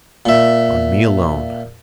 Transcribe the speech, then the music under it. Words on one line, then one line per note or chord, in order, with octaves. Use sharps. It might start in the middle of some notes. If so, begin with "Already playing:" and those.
On me alone.
A#2 E5